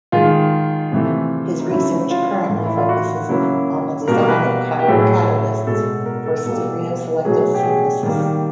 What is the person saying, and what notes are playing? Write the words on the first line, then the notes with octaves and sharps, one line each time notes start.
His research currently focuses on the design of chiral catalysts for stereoselective synthesis.
D#3 G#3 F4
C3 E3 A3
D#4
C#3 F#3 A3 E4
F4
A2 E3 A3
E4
F4
F#4
C#3 F#3 A#3 E4
B2 G3 A#3 A#4
A#4
B4
G4
A2 F#3 A3 G#4
B2 G#3 A4
A#4
A4
B2 G3 A#3 A4
B2 F#3 A3 G#4
G4
G#4
D#3 G3 A#3